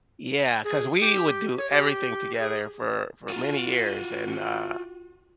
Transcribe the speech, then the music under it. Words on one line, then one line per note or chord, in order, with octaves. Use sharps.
Yeah, 'cause we would do everything together for for many years and, uh,
G#4
G4
C#5
G4
G#4
F4 F#4